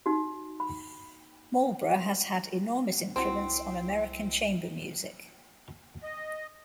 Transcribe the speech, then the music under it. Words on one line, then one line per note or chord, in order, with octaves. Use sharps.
Marlboro has had enormous influence on American chamber music.
D#4 F#4
B5
C2 F#3 C4 E4 C5
D#5